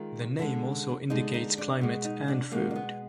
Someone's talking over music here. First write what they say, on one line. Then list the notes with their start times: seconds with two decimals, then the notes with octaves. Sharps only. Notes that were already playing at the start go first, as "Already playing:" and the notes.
The name also indicates climate and food.
Already playing: D#3 G#3 F4
0.39 D3 G#3
1.10 D3 G#3 D#4
1.34 D#4
1.58 D4
1.81 B2 G#3
2.05 D#4
2.28 D4
2.52 B2 G#3 A#3
2.71 D4
2.76 B3